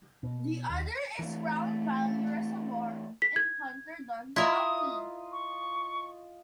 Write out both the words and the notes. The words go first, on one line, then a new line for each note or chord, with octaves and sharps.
The other is Round Valley Reservoir in Hunterdon County.
B2
D#2
E3 A3 A#3
B6
G#6
E4 F4 A#4 D#5 E5 D#6
C#6